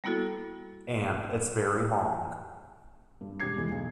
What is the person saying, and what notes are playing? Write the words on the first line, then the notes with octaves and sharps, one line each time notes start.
And it's very long.
G3 A#3 B3 E4 F#4 A4
G2
E1 G4 D6 G#6 C7
E2 E3 G#3
B1